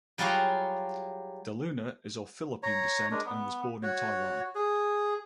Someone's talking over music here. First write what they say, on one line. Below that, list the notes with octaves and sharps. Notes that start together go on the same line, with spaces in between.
De Luna is of Philippine descent and was born in Taiwan.
F#3 G3 F4 F#4 G#4 C#5
C#5 A#5
G#3 D4 A#4
B3
F#4 C#5
G#4